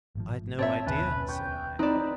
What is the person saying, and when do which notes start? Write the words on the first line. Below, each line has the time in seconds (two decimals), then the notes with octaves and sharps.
"I'd no idea," said I.
0.15 G#1 A2 F3
0.59 C4 C#5 E5 A5
0.87 F#1 D#2 B2 C#4 B4
1.29 G5 C#6 G6
1.79 C4 D#4 B4 D5 E7